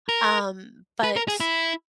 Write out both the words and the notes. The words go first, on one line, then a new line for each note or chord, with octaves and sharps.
um, but,
A#4
B4
A#4
G#4
E4